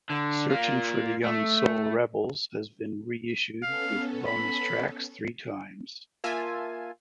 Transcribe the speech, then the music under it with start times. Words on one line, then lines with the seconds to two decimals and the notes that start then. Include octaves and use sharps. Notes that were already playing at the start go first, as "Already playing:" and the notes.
"Searching for the Young Soul Rebels" has been reissued with bonus tracks three times.
0.10 D3
0.50 A#3 F4
1.24 A3
3.63 B3 C#4 A4 F5
4.26 B5
6.24 A#3 F4 E5 G#5 A5